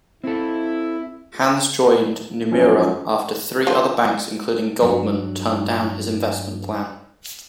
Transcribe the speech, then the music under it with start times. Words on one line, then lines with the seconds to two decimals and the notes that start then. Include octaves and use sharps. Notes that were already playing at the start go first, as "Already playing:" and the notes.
Hands joined Nomura after three other banks, including Goldman, turned down his investment plan.
0.24 C4 E4 A4
2.51 F#2 F3 C#4
3.67 F3
4.82 G2 F#3